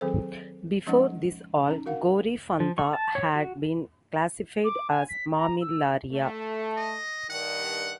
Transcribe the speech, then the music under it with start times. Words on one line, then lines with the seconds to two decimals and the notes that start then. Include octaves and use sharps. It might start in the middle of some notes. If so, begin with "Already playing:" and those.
Before this all "Coryphantha" had been classified as "Mammillaria".
0.01 D#3 F#3 C4 G#4 A4 C5
0.87 F3 G#3 C#4 D#4 D#5 F#5
1.68 C#4 D#4
1.86 F#4 A#4 F5 F#5
2.60 F3
2.78 C#6
2.93 A5
3.15 C#5
3.36 F#4
4.65 D6
4.90 G#5
5.09 B6
5.35 A#5
5.61 E6
6.13 A3
6.77 D#5
7.30 G2 D#3 F#5